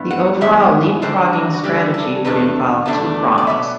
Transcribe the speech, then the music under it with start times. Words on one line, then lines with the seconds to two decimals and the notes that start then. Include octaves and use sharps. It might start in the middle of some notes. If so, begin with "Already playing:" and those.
The overall leapfrogging strategy would involve two prongs.
Already playing: G2 E3 B3
0.11 F#5
0.41 G2 E3 B3 E5
1.02 D3 G3 D4 C5
1.33 F#4
1.54 F#4
1.63 D3 G3 D4 G4
1.94 A4
2.25 E2 B2 A3 D4 B4
2.86 E2 B2 A3 D4
3.38 D5
3.47 B2 F#3 B3 E5